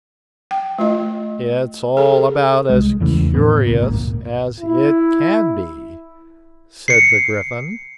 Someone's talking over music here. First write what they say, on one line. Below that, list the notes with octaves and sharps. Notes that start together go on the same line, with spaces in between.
'It's all about as curious as it can be,' said the Gryphon.
G5
A3 F4 D#5
G#4 A4
C2 G#3
E2 C#3 E3 A3
A2 B3
C#2 A#2
G#1 D2 A2 A#3
E4
C7 C#7